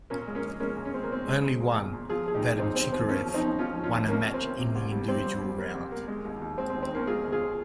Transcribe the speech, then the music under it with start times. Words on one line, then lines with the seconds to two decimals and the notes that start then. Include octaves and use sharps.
Only one, Vadim Chikarev, won a match in the individual round.
0.10 A#2 A#3 C#4
0.27 G#3
0.35 A#3 C#4
0.44 G#3
0.60 G#3 A#3 C#4
0.77 A#2
0.85 C#4
0.93 G#3 C4
1.03 A#3
1.10 G#3 C4
1.27 G#3
1.43 G#3
1.60 A#2
1.76 A#2
1.93 A#2
2.09 F3 F4 G#4
2.26 D#2 G#4
2.35 D#4 G4
2.43 D#2
2.59 D#2 C4 D#4
2.76 D#2 C4
2.92 D#2 C4
3.09 C#3 A#3 C#4
3.25 F3
3.34 C4 D#4
3.42 C#3
3.59 F3 C#4 F4
3.76 F3
3.83 C#4 F4
3.92 D#2
4.08 C3 A#3 C#4
4.26 C3
4.34 C4
4.42 A#3
4.58 C3
4.75 C2
4.92 G3
5.08 G3 C4
5.25 G3
5.42 G3
5.58 A#3
5.75 C2
5.92 A#3
6.08 G#3
6.25 D#2
6.41 D#2
6.58 G#3 C4
6.70 C4
6.74 D#2
6.83 C4
6.91 D#3 A#3 C#4
7.07 G#3 F4 G#4
7.24 D#2
7.32 F4 G#4